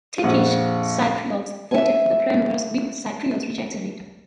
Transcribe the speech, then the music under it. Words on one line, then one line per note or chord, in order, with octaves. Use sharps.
Turkish Cypriots voted for the Plan whereas Greek Cypriots rejected it.
A#1 F2 F#5
E5 G#5